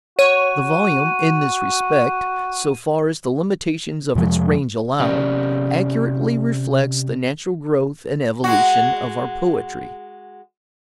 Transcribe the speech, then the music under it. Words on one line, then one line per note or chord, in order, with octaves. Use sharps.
The volume, in this respect, so far as the limitations of its range allow, accurately reflects the natural growth and evolution of our Poetry.
F#4 C#5 D#7
F2 C3 F3 G#3
C3 C#4 G4 D5
G#3 F#4